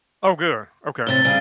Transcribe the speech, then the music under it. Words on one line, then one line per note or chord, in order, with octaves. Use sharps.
Oh, good, okay.
A2 C3 A6 G7
C#3 G3 G#4